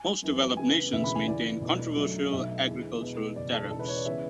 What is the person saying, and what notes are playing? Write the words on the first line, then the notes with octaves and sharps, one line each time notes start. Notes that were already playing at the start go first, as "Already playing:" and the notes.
Most developed nations maintain controversial agricultural tariffs.
Already playing: G#5
F#2 E3 B3
E2 C#3 G#3 B3 G#5
E1 D2 C#3 E3 B3 E5
B5
G#5
E2 C#3 E3 D5
E1 E2 B2 A3
F#2 D3 F#3 A3
B1 B2 A3 E5
E2 D3 G#3
E2 B2 G#3 B3
F#1 E2 B2 D5
A4
E1 E2 C#3 A4
B4
C#5
D5
C#3 E3 B3 E5